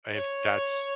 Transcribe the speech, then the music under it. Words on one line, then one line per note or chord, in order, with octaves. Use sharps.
If that's
C#5